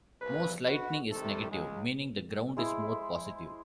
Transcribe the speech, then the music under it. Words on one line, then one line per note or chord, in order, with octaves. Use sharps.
Most lightning is negative, meaning the ground is more positive.
C2 A#2 B4
F#4 B4
C3 D#3 G3 A3 A4
C#2 G#3
G#3 E4 C5